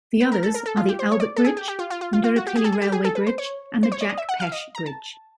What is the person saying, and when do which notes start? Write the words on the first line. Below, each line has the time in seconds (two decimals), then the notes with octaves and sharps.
The others are the Albert Bridge, Indooroopilly Railway Bridge, and the Jack Pesch Bridge.
0.20 B4
0.32 A#4
0.43 A4
0.54 A#4
0.66 A4
0.77 F4
0.89 G4
0.99 C5
1.11 C#5
1.20 D5
1.36 A4
1.45 G#4
1.57 G4
1.68 G4
1.79 F4
1.90 F4
2.01 F4
2.13 F4
2.24 F4
2.36 F#4
2.47 G4
2.56 G#4
2.64 A4
2.72 G#4
2.82 G4
2.92 G#4
3.04 A4
3.15 B4
3.27 C5
3.38 C#5
3.83 C5
3.92 C#5
4.01 D5
4.09 D#5
4.18 E5
4.29 F#5
4.40 F5
4.52 D#5
4.75 A#5
4.86 A5